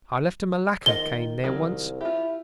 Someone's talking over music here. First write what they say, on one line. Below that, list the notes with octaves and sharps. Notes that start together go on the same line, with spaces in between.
I left a malacca cane there once.
D#3 F4 D#5 F#5 G7
C2 D#3 F#3 C4
E4 F4 G4